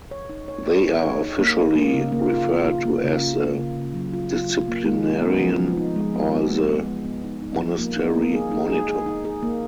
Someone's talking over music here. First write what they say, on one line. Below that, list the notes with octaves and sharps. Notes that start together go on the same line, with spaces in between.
They are officially referred to as the disciplinarian or the monastery monitor.
C#5
D#4
C#5
G#4
G#4
C#5
D#4
A#3
D#4
A#3
C#3
A#3
F4
F4
F4
A#3
C#3
F4
A#3
C#3
C#3
F#3
F4
F4
F4
A#3
G#3
D#4
B3
F3
F3
D#4
G#3
B3
B3
G#3
B3
G#3
B3
D#4
D#4
F3
A#3
D#4
A#3
G#4
D#4
G#4
G#4
D#4
G#4
A#3